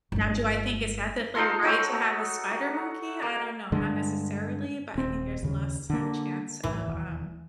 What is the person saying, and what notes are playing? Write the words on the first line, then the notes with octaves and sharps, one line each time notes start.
Now do I think it's ethically right to have a spider monkey? I don't know. Not necessarily, but I think there's less a chance of, um,
G1 G#3
D#4 F4 A4 C6
D#4 F#4 C#5 E6
F#4
A#3
G2 D3 G#3
D#1 C4
D#2 C#3
D3 A#3
A1 G#2 E3 A3
E1 D#2